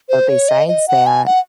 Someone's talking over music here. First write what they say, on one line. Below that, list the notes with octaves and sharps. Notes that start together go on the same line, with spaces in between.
but besides that,
C5
C#5
D#5
D#5
F#5
G#5
F#5